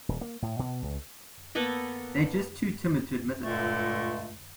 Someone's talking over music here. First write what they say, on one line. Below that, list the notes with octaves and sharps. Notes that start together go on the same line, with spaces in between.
They're just too timid to admit it.
D#1
A#3
A2
B2
C#2
A#3 B3 A4 B4
C#2 G2 A#2 D3 G#3 A3